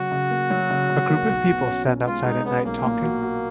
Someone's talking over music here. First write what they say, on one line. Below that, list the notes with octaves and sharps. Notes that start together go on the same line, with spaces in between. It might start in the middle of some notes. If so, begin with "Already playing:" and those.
A group of people stand outside at night talking.
Already playing: C#3 F#3 F#4
C#3
A#3
F#3
C#3
C#3
A#3
B1
B2
C#4
C#4
G#3 F4
G#3 D#4
B3 C#4
B1 A#3
A#2
F#4
F#4